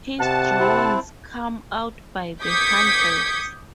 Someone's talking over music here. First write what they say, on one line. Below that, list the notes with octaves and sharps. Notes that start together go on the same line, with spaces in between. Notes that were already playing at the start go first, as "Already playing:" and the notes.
His drawings come out by the hundreds.
C3 F#5 A5
C4 E4
D6 D#6 G6 G#6 B6 C#7